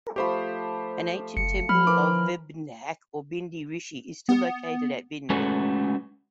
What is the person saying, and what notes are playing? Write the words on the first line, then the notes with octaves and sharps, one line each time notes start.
An ancient temple of Vibhandak or Bhindi Rishi is still located at Bhind.
F3 A3 G4 C5 B5 C#6
F#1 C#7
F3 B5 F6
E3 A#4 C5 D6
B3
G#3 A3 C#4 F#4 A4 B4